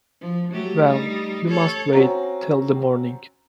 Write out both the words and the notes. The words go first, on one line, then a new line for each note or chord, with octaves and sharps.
Well, you must wait till the morning.
F3
F#3 A3 G4
G3 D#4
A4 C#5
C4 C#4 F#4 A#5